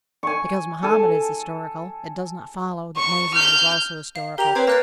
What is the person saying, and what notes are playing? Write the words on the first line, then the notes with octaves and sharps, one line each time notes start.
Because Mohammed is historical, it does not follow that Moses is also historical.
G#5 C#6
A4 G#5
C#6
F6 G6
F5
G4 A#4 A#5 F7
C4 B4 C#5 G5 G#6
A#3 A#5 F#6 A6